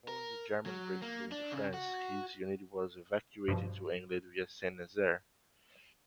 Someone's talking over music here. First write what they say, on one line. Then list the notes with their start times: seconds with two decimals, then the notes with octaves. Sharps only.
Following the German breakthrough in France, his unit was evacuated to England via Saint-Nazaire.
0.08 A#4
0.66 F#3
1.02 A#3
1.32 D4
1.53 C#3
1.74 F#4
3.48 G2 B2 F3